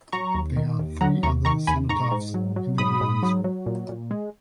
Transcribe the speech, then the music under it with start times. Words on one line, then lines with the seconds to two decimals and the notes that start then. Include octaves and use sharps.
There are three other cenotaphs in the grounds.
0.12 F#3 A#5 C#6
0.35 D#2
0.56 D#3
0.79 D#2
1.01 F#3 F#5 A#5
1.23 D#2 A#5 C#6
1.45 D#3 A#5 C#6
1.67 D#2 G#5 B5
1.89 G#2 A#5 C#6
2.11 G#2
2.34 F#3
2.56 F#3
2.78 G#2 B5 D#6
3.01 G#2
3.23 F#3
3.44 F#3
3.66 A#2
3.89 A#2
4.11 G#3